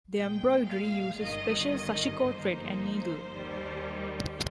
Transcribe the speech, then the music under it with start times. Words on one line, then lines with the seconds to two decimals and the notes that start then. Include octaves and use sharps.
The embroidery uses special sashiko thread and needle.
0.13 A#1 A#2 G#3 G5
0.67 F5
1.20 G1 G2 D#3 D#5
1.74 D#5
2.26 G1 G2 F3 A#3 D#4 C5
3.33 D#2 D#3 G3